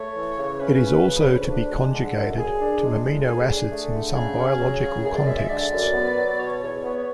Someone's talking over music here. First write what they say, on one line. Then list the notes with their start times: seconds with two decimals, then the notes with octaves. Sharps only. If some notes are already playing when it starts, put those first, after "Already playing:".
It is also be conjugated to amino acids in some biological contexts.
Already playing: A3 C#5
0.16 E3
0.37 C#3
0.60 C#4 B4
0.81 F#3
1.04 C#3
1.26 D2
1.49 D4
1.70 G#3
1.93 D3
2.15 F#2
2.38 G#4
2.60 D4
2.83 G#3
3.04 A2
3.27 G#4
3.48 D4
3.71 A3
3.94 D3
4.15 C#3 G#4
4.38 C#4
4.60 F#3
4.82 C#3
5.04 F#2 G#4
5.16 D5
5.27 G#3 E5
5.38 E5
5.49 D3 D5
5.72 F#2
5.93 B3
6.16 F#3
6.38 B2 C#5
6.61 E2
6.83 B3